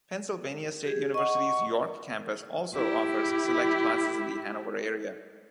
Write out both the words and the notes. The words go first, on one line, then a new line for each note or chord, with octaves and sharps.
Pennsylvania State University's York Campus also offers select classes in the Hanover area.
G4 G#4
D#5 F#5 C#6
E4 G4